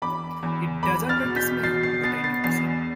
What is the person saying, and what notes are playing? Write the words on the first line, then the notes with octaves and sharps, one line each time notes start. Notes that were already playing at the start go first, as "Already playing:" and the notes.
He doesn't notice me, but I notice him.
E2 B5 D6
E2
E2 B5 D6
F6 A6
B2
G6 B6
B2 A6 C7
A6 C7
B3 A6 C7
A6 C7
E2 A6 C7